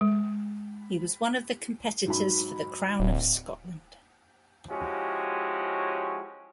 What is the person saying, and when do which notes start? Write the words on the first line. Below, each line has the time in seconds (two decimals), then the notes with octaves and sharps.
He was one of the Competitors for the Crown of Scotland.
0.01 G#3
2.06 G#2 F#3 B5
3.00 D1
4.70 F3 G#3 C#4 E4 F#4 G4